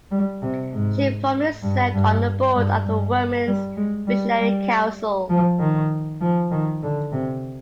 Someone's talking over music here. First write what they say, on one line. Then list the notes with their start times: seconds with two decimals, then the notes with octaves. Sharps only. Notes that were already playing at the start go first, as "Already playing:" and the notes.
She formerly served on the board of the Women's Visionary Council.
0.11 G3
0.42 C3
0.72 G#2
1.63 G2
1.94 G2
2.56 G2
2.86 G2
3.47 G3
3.77 G#3
4.07 G3
4.39 G3
5.30 F3
5.60 D#3
6.21 F3
6.52 D#3
6.83 D3
7.13 C3